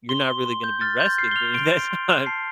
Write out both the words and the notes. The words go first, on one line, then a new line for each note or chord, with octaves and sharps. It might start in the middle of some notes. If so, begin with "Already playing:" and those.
you're not really gonna be resting during that time,
C6 G7
C6
C6
G6
F6 A6
C6 G6
F6 C7
G7
F6 F7
C6 D7
C6
C6
F6
A5 C7